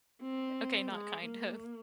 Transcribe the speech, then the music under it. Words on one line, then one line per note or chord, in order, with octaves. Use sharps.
okay, not kind of.
C4
G#3
A#3